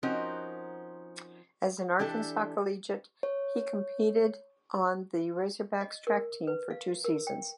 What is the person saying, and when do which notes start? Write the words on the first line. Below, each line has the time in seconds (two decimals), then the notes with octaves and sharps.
As an Arkansas collegiate, he competed on the Razorbacks' track team for two seasons.
0.03 F3 C4 C#4 D#4 F#4 A#4
1.99 E3 D4 G4 A4
3.23 C#5
5.81 D#5
6.07 A#4
6.47 B4
6.70 F5
7.04 A#4
7.27 G5